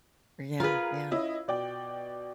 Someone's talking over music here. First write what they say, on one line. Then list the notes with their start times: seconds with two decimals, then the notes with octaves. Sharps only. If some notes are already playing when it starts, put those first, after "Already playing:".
Yeah, yeah.
0.60 F4 G#4 A#4 B4 A#5
1.11 C#4 E4 D#5
1.48 B2 D5 G5